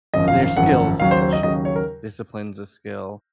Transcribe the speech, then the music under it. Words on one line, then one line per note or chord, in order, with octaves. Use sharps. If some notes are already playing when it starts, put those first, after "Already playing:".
They're skills, essentially, discipline's a skill.
G#1 F#2 F3 D#5
F5
F5
G#1 F#2 F3 F#5
D#2 C#3 F#3 F5
C5
C5
D#5
D#2 C#3 F#3 D#5
C#5
A#4